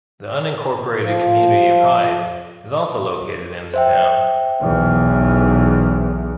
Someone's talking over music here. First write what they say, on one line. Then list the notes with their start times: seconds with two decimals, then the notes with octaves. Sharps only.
The unincorporated community of Hyde is also located in the town.
1.01 F3
3.74 C5 E5 G5
4.61 B1 E2